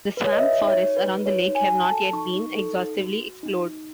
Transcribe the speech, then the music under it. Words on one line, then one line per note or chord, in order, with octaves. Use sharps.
The swamp forests around the lake have not yet been exhaustively explored.
B4
C#5
D#5
F#4 E5
D#4
C#5
F#4
B4
D#4
F#4 C#5
D#4
G#5
F#4
A5
A4
D#4 C#6
D#4
A4
D#4
F#4
F#4
D#4
D#4